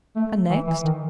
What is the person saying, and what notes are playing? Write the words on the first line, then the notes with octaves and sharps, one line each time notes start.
"And next?"
A3
E3
E3
D#3